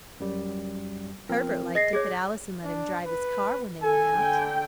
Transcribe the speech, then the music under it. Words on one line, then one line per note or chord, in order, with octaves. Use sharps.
Herbert liked it that Allison let him drive his car when they went out.
F#2 G3
F3 C4 A#4
G#4 D#5 A#6 C7
G#4 C#5 D6 G#6 A#6
D4
B4
A4 G#5
D3 G5